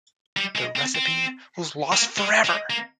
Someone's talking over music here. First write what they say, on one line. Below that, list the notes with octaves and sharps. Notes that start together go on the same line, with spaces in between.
The recipe was lost forever.
G3
G#3
C4
C4
A#3
G#3
G#3
A#3